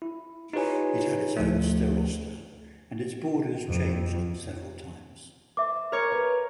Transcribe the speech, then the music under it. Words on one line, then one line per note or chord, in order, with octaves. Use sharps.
It had its own starosta, and its borders changed several times.
E4
D#4 F4 G4 B4 C#5 G#5
D2 F3 A3
F2
C5 E5 D6
A#4 C#5
B4